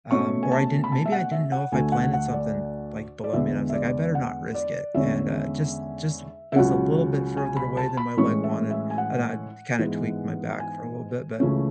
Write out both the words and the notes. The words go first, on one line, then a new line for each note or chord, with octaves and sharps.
um, or I didn't maybe I didn't know if I planted something, like, below me and I was like, "I better not risk it," and, uh, just just it was a little bit further away than my leg wanted, and I kinda tweaked my back for a little bit, but
B2 A3 C#4 C#6
G#5
A5
B5
A5
E5
F#5
E5
F#5
D2 D3 A3 G#5
F#5
F#5
D5
D5
E2 D3 G#3 B3 E5
E5
D5
F#5
D5
E2 D3 G#3 C#4 E5
E5
C#2 C#3 F#3 C#4 F#5
G#5
B5
A5
B5
A2 E3 G#3 C#4 C#6
E5
E5
G#5
F#5
G#2 E3 G#3 B3
G#5
C#2 C#3 E3 A3 C#4